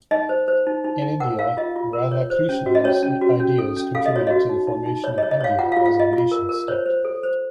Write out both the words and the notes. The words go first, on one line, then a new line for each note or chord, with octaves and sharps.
In India, Radhakrishnan's ideas contributed to the formation of India as a nation-state.
D#4 D#5
C5
C5
D#4
D#4
D#4
A#4 F#5
A#4 F5
F4 D#5
F4
A#4
C#5
C5
C#4
F#4
D#5
C#4 C#5
C#4
F#4
C#4
A4
C#4
A4 F5
D#5
F#4 C#5
F#4 D#5
D#4
D#4
D#4
C#5
D#5
C#5
D#5
C#5 F5
F4 F#5
F4 F5
F5
F4 D#5
F4
A#4
A#4
C5 C#5
C5
A4
C5